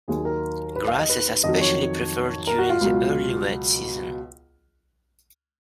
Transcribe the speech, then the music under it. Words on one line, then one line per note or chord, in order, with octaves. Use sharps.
Grasses are specially preferred during the early wet season.
D#2 D#3 F#3 G#4
A#4
B4
F5
D#5
B4
F2 D#3 F#3 D#5
C#5
A#4
F#4
F4
C#2 B2 F#3